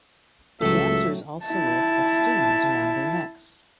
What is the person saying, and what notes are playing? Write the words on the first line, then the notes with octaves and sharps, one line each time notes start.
The dancers also wear festoons around their necks.
C#2 A2 F#3 A4 E5
E4 A5